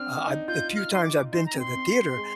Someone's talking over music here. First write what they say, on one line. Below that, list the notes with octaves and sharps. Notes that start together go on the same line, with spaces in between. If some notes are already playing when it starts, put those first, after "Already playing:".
uh, I the few times I've been to the theater,
Already playing: C4 D4 F6
D#4
F4 G6
F6
D#4 C6
D6
D#4 C6
A#5
C4
C6
C4
G#3